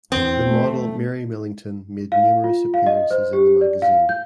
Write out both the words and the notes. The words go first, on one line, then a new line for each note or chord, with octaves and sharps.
The model Mary Millington made numerous appearances in the magazine.
E2 C4
A3
F5
F4
F5
D#5
C5
G4
D5
F5
G6